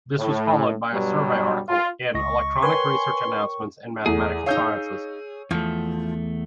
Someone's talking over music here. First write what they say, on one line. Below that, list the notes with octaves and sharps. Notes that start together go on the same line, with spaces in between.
This was followed by a survey article in Electronic Research Announcements in Mathematical Sciences.
A2
G2 B2 F#3 G3
F4
C#2 D#5 C#6 A#6
A#4 B4 C#5 G5 G#5 C6
E2 A3 G#4
D#4 C#5 F5 E6 G6
E2 F3 A3